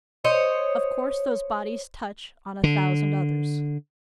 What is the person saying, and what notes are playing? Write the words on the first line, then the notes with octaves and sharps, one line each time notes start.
Of course those bodies touch on a thousand others.
C5 C#5 D#5
D3